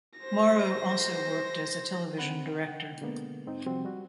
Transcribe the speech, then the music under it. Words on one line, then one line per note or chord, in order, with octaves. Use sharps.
Morrow also worked as a television director.
C5 A#6
C#2 D3 C4 F#5 B5
D3 F#5 G5
B2 D3 G#3 A#3 B3
G#2 C4 D#4
C3 F3 G3 C4 F#4
G3 F#4